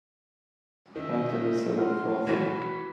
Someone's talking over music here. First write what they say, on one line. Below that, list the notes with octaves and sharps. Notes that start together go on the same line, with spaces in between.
Right on the second floor there.
D#3 C#4 D#5 E5
D#5 F#5 C6 F6
E3 F#4 B5